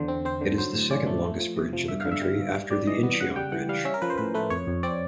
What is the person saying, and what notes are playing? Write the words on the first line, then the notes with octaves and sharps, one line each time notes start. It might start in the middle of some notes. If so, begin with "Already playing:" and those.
It is the second longest bridge in the country after the Incheon Bridge.
Already playing: E2 D3 C5
C4
C4 C5
D3
F#3 C5
A2
C#4 D5
A3
A3
F3
C3
F3
G2 E5
D3 F5
E5
G3
G2
G3
G3 D5
E3 D#5
B3
C#3 F#5
G3 G5
E3 F#5
G3 F5
C#4 E5
A#4
F3 B4
C5
A2 B4
A3 B4
F2 C#5
F2
C4 D5